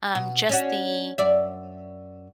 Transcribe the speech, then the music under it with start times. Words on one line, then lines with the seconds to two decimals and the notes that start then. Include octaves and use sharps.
um, just the,
0.15 B2
0.49 C#4 D4 F#4
1.18 F#2 D5 E5